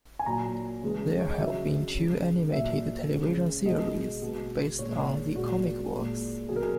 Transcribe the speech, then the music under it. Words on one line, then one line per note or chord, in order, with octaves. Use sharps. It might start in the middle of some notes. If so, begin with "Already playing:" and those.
There have been two animated television series, based on the comic books.
G#5
A#2 F#3 A#5
C#3 E3 G#3
C#5
D#5
C#3 F#3 E5
C#3 G#3
A#2 F#3 E5
C#3 G#3
B2 G#3 D#5
B2 G#3
A#2 G#3 C#5
A#2 G#3 F#4
A#2 G#3
B2 F#3 G#4
A#4
G#4